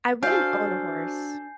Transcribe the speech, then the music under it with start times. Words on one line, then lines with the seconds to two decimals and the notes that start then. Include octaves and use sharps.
I wouldn't own a horse,
0.23 D4 F#4 A4 C5 F5 G#5 G6 C7